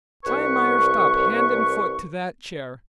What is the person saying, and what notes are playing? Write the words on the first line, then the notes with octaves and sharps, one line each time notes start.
Tie Myerst up--hand and foot--to that chair.
C2 B4 C#6